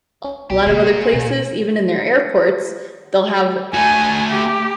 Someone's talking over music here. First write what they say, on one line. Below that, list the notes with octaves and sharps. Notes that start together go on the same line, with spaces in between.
a lotta other places, even in their airports, they'll have
B1 G4
A#2 C#3 A#3
B2
A3 F#4 G#5
G4